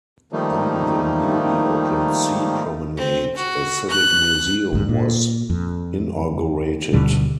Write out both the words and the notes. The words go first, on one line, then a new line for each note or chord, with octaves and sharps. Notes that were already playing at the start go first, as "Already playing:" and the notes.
On the newly opened sea promenade a Civic Museum was inaugurated.
D#3 F3 G3 A3 A#3 D#4
C4
F#4
F#6
A1 G#2
A#2
F2
D2 B2 D3 G3